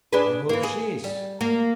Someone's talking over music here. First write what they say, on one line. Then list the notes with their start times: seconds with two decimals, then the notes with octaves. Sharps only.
"I hope she is."
0.13 D4 G#4 B4
0.49 E3 A#3
0.63 G#4
1.04 G3
1.41 A#3